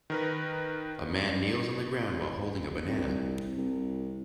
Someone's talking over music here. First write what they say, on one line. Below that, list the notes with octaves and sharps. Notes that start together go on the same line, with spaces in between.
A man kneels on the ground while holding a banana.
D#3 A#4 B4
C2
C2